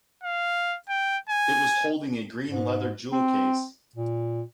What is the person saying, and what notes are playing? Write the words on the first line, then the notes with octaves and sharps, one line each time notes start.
It was holding a green leather jewel-case.
F5
G5
G#5
G#2
C4
A#2